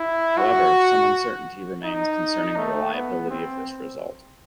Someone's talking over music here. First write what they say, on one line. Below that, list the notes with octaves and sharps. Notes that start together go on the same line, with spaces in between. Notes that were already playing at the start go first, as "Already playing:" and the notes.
However, some uncertainty remains concerning the reliability of this result.
Already playing: E4
F#4
D#4
A3
B3
C4